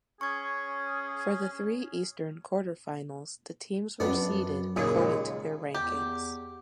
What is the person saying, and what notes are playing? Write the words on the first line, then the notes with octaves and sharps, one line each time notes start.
For the three eastern Quarterfinals the teams were seeded according to their rankings.
C#4 G#4 C#6 G#6
F#2 B3 D4
D#2 A#2 C#3 G#4
G#3
E2 G4